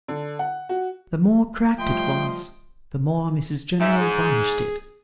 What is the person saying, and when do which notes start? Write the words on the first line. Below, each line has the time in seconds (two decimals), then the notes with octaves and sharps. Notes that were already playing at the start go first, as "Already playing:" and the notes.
The more cracked it was, the more Mrs General varnished it.
0.08 D3
0.39 F#5
0.69 F#4
1.79 F3 G3 A3 D#5 G5 C6
3.80 G#2 E5
4.00 G#4